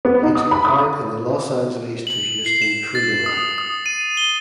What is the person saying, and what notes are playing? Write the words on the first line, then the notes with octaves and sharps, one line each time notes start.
He took part in the Los Angeles to Houston Freedom Ride.
B3
D#4
D#6
B5
D#6
F#7
C7
E7
A6
D#6
D#6
D#7
G7